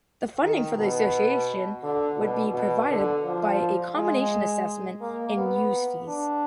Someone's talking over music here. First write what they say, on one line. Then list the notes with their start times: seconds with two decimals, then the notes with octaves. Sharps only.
The funding for the association would be provided by a combination assessment and use-fee's.
0.42 D#3
0.78 B2
1.83 D3
2.19 B2
2.54 B2
2.90 D3
3.25 F3
3.96 G#3
5.02 A#3
5.37 B3
6.08 D4